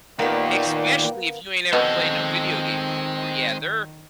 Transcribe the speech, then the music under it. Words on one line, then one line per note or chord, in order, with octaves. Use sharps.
Especially if you ain't ever played no video games before. Yeah. They're
D#2 A#2 D#3 A#3 B3 D5 G5
B2 D#3 G#3 C4 A4